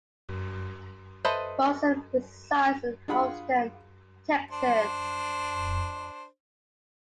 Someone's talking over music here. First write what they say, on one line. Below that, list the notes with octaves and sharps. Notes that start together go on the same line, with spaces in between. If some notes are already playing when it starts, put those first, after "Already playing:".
Fossum resides in Houston, Texas.
A4 B4 C5 D#5 E5
D4 F4 G#4 F#5 B5
D4 C5